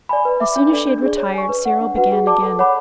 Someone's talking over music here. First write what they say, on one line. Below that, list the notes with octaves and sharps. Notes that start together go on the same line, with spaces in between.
As soon as she had retired, Cyril began again.
D5 G#5 B5
B4
E5 B5 D6
D4
A4 D5
D4
G#4 D5
C#5
G#5 C#6
B4
D5 F#5
D4
F#4 B4 F#5
G#4
D5 A5 D6
A4
C#5 F#5 B5 D6